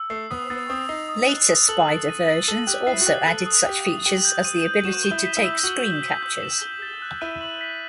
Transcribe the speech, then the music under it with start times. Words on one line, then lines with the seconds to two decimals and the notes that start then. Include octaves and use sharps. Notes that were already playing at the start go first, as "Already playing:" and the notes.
Later Spider versions also added such features as the ability to take screen captures.
Already playing: E6
0.10 A3 C7
0.30 B3 D#6
0.50 B3 A6
0.70 C4 D#6
0.89 D#4 C7
1.09 D#6
1.29 F#6
1.49 D#6
1.69 A4 F#7
1.89 A6
2.09 D#7
2.28 A6
2.47 A4 F#7
2.67 G4 F#6
2.87 E4 C7
3.01 F#4
3.06 G4 F#6
3.27 A4 C7
3.46 D#6
3.66 G4 F#6
3.86 D#6
4.05 G4 F#7
4.25 G6
4.45 D#7
4.65 G6
4.85 F#4 E7
5.04 G7
5.11 E4
5.24 B6
5.37 E4
5.44 E6
5.63 F#4 F#7
5.84 G6
6.03 B6
6.22 G6
6.42 E7
6.62 G7
6.82 A6
7.02 F#6
7.21 E4 D#7
7.41 F#7
7.61 B6